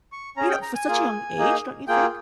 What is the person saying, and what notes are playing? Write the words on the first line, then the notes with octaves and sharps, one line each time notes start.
I know for such a young age, don't you think?
C#6
C#4 G#4 A#5
G5
A#5
G#5
A#3 F4 G#4
A#3 D#4 G#4
A#3 F4 G#4 G5